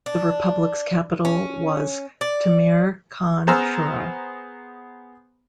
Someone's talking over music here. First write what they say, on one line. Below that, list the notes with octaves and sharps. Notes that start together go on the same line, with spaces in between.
The Republic's capital was Temir-Khan-Shura.
D4
C#4
D5
B3 G#4 C5 A#5 E6 F6